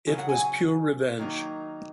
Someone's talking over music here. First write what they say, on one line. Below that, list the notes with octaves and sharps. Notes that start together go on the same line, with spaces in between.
It was pure revenge.
C#3 F#3
F#5
G#5
D#3 F#3 A#3 D#4